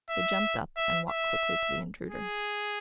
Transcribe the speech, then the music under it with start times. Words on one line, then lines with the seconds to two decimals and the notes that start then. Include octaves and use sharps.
He jumped up and walked quickly to the intruder.
0.10 E5
0.77 E5
1.10 E5
2.10 G#4